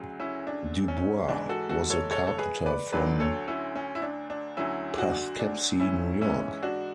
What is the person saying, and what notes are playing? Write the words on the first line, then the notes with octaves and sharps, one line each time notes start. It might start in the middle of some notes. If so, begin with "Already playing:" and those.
DuBois was a carpenter from Poughkeepsie, New York.
Already playing: D2 C#3 F#3
C#4 E4
D4
C#4
G#2 E3 D4
F#4 A4
F#4 A4
A4 C#5
A4 C#5
A4
G#4 B4
B4 D5
D2 D3 F#3 B4 D5
A4 C#5
C#4 E4
C#4
E4
D4
D4
D2 D3 F#3 C#4 E4
D4 F#4
D4
C#4 E4
G#2 E3 C#4 E4
D4 F#4